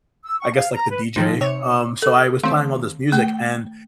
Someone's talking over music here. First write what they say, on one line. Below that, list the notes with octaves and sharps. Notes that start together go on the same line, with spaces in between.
I guess like the DJ, um, so I was playing all this music and
E6
C#6
F5
A#5
B4
G#2 D#3 F3 D#4
C3 C#5
A4
D#3 A3 C4 F5
A3 G5